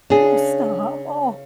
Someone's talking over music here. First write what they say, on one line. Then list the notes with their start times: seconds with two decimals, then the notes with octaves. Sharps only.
Oh, stop. Oh
0.10 C#3 D4 G#4